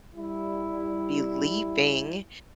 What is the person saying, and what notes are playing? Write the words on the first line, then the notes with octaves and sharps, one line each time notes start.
be leaving,
G3 E4